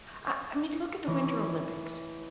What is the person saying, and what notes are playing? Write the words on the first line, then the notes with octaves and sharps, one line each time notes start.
I I mean look at the Winter Olympics.
E3 A3 D#4 C#5